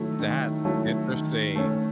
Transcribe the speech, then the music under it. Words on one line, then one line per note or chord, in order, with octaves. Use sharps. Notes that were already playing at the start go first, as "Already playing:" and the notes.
That's interesting.
Already playing: D#3 F#3 A3 E4 A4
D#3
F#3 A3 E4 A4
D#3
A3 C#4